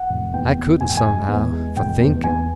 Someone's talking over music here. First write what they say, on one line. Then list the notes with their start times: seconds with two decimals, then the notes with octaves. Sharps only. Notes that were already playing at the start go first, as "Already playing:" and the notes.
I couldn't, somehow, for thinking.
Already playing: F#5
0.09 F1
0.33 E2 G5
0.57 B2
0.81 F1 G#5
0.89 G5
0.97 G#5
1.05 G#3
1.28 E2
1.52 G#3
1.76 F1 G5
2.00 E2
2.24 E2 G#5